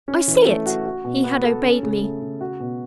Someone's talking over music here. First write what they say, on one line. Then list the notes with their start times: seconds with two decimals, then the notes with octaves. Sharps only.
"I see it." He had obeyed me.
0.08 C#4
0.28 E3
0.47 A3
0.66 F#4
0.86 F#4
1.05 B2
1.24 B3
1.44 A4
1.63 C#4
1.83 C#3
2.02 A3
2.22 C#3
2.41 F#4
2.60 B2